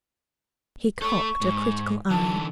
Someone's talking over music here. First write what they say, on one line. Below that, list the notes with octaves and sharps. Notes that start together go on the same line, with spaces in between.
He cocked a critical eye.
A3 A4 C#6
G#2
D3 E3 A5